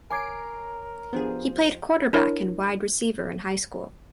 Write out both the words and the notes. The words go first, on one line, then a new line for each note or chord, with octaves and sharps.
He played quarterback and wide receiver in high school.
A#4 C#5 G#5 A#5 D6 G#6 C7 D7
F3 B3 D4 G4 G#4 C5
D4 E4 A#4 C#5